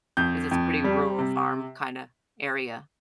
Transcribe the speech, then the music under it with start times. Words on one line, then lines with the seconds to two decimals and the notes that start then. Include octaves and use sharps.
'Cause it's pretty rural farm kinda area,
0.17 F2 G6
0.51 F2
0.84 G3
1.18 C3